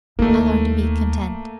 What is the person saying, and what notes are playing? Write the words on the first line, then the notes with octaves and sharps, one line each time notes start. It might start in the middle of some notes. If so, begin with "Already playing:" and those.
I learn to be content.
D#2 A3 A#3 E4